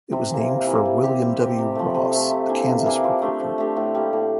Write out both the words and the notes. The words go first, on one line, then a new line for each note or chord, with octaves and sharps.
It was named for William W. Ross, a Kansas reporter.
C3
E3 A#3
C3
E3 A#3
G3
C4 G4
G3
C4 G4
C3
F3 A3
C3
F3 A3
C3
E3 A#3 D4
C3
E3 A#3 D4
F3
A3 D4 G4
F3
A3 D4 G4
A2
G3 A#3
A2